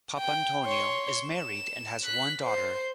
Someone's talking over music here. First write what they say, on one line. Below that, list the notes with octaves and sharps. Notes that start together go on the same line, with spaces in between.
Papantonio is married and has one daughter.
G5
C#5 C6
E7
F#6 B6
C5 C7